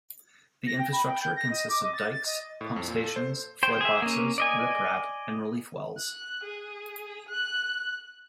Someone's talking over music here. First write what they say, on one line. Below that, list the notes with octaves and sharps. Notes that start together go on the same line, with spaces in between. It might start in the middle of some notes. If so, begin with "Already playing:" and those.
The infrastructure consists of dikes, pump stations, floodboxes, riprap, and relief wells.
A#6
G5
B5
G5
G6
A#6
D#5
D6
D#5
A6
A6
D#5
A2
F2
A#2
A4
C5
C5 G5
G#4 E5
A#3 C#4
D5 D#5 G#5
F#6
G#4
F#6